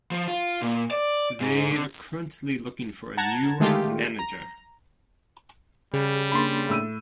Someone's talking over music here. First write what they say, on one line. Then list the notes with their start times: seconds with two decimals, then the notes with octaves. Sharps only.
They are currently looking for a new Manager.
0.11 F3
0.28 F4
0.62 A#2
0.91 D5
1.40 G#2
1.71 D3
3.17 F#5 A5 A#5 G#6
3.60 D3 D#3 G#3 A3 F4 G4
4.19 A#5
5.94 C#3 G3
6.32 A#3 D4 B5 C6 A6
6.69 A2 E6 D#7